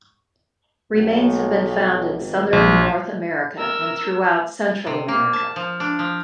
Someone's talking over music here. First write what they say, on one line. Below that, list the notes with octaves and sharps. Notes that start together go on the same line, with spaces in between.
Remains have been found in southern North America and throughout Central America.
B1
G#1
A#1
A#4 E6
C3
A#3
A5
F3
D4
F3